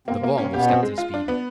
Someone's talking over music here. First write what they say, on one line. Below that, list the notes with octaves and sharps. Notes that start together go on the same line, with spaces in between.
The bomb was Captain Speedy.
C3 A#3 C4
C3 C4
A#3
C3 C4 C#4
B2 B3 G4
C4
G#3
F4
D4
B3